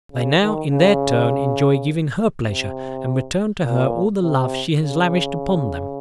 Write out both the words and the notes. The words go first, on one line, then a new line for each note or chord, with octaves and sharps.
They now, in their turn, enjoy giving her pleasure, and return to her all the love she has lavished upon them.
C#3
D#3
C#3
C3
A#2
C3
C#3